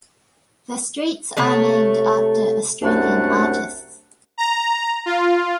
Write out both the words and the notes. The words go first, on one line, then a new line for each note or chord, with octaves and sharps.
The streets are named after Australian artists.
C3 A3 C#5
C2 F#2 A3 D4 F#5
A#5
F4